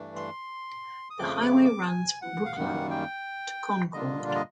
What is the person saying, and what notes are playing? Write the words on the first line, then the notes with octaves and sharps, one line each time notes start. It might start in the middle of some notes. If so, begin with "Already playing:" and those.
The highway runs from Brookline to Concord.
Already playing: G2 E3 A3 D4
C6
D#6
F2 C#3 F3 A3 D6
D#6
D6
D6
A5
G#5
F#5
F5
F#2 D#3 G3 A#3 F#5
G5
D3 G3 A#3 D4 F4 D#5
D5
D#5